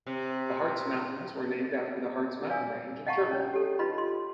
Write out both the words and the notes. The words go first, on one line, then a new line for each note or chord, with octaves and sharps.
The Hartz Mountains were named after the Harz mountain range in Germany.
C3
B4 D5 F5 G#5 D#6 E6
D#5 F5 F#5 A5 A#5 C#6
C#4 D4 C#5
G4 A4
D#4 F4 B4 D#5 B5 C6
C6